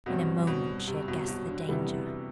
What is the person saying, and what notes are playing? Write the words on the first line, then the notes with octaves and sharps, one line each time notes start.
In a moment she had guessed the danger.
G2 B2 F#3 C4 F#4
B2
C3
B2
C3
B2
D3
C3 E3 G3 B3